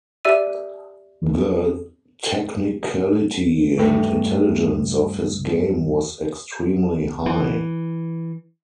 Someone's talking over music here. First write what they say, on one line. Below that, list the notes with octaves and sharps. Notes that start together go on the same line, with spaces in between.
The technicality and intelligence of his game was extremely high.
G4 D5 E5 E6 D#7
G2 A3 A4 G5
E3